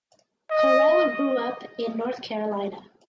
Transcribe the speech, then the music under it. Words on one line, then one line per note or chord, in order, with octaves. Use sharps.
Correll grew up in North Carolina.
D#5